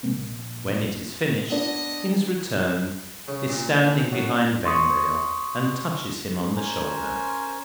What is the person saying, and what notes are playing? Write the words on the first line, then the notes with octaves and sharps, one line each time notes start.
When it is finished, he has returned, is standing behind Vendale, and touches him on the shoulder.
C3 G#3 A#3 C4
A#1
B3 D4 D#5
C#3
A#2
F#2
C6 C#6 D#6
C#4 A#4 C5 G#5